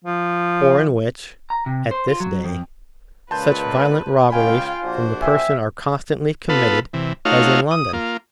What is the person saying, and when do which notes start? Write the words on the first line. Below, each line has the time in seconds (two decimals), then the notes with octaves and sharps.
Or in which, at this day, such violent robberies from the person are constantly committed as in London?
0.04 F3
1.50 A#5
1.66 C3
1.91 C5
2.08 F4
2.20 F#3
2.44 F2
3.31 C#2 A#2 C#3 B4 A5 C6 G6
4.30 C#2 F4 F5 G5 G#5 B5
4.83 A#1 D4 F#4 C5
5.22 E5 G5 G#5
6.49 B3 F4 A4 B4
6.93 C3 E3
7.25 A3 D#4 F4 F#4 C#5 F5
7.71 D#6
7.93 A#3 F4